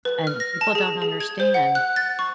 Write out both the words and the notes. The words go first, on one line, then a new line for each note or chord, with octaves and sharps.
And people don't understand
B4
F6
A#6
A5
G#4
G#4
G#6
C5
F#5
F#6
A6
C#6